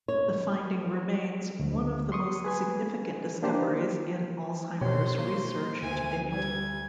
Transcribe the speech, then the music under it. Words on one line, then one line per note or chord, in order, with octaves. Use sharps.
The finding remains one of the most significant discoveries in Alzheimer's research to date.
C#5
D2
C6 C#6 D#6
G#4 B4 G#5
A#3 D4 G4 C5
B2 G4 C5 C#5 C6
A#3
D2 G#5
G3 G#6